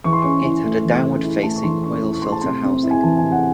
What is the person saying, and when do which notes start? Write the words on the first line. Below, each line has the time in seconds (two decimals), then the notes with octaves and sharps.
It had a downward facing oil filter housing.
0.04 E3 C#6
0.13 C6
0.22 C#4 C#6
0.44 E4
0.64 A3
0.84 E3
1.04 C#4
1.24 E4
1.43 A3 A5
1.56 C#6
1.64 E3 C6
1.83 C#4 C#6
2.04 E4
2.13 C#6
2.22 A3 C6
2.32 A5
2.41 C3 C6
2.63 C4
2.83 E4
2.91 G#5
3.03 E3 A5
3.17 G#5
3.23 C3
3.32 F#5